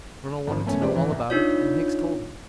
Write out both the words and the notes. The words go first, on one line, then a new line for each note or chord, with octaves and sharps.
The Colonel wanted to know all about it, and Hicks told him.
G#1 F3
F#1 E2 A3 C#4 G#5
F3 G#3 C#4 G4 B4 D5
A1 E3
C2 F2
D4 D#4 F4 C#5